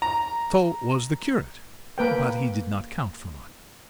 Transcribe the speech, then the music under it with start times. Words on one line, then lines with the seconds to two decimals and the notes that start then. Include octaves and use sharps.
So was the curate, but he did not count for much.
0.02 A#5
1.98 A#3 B4 G5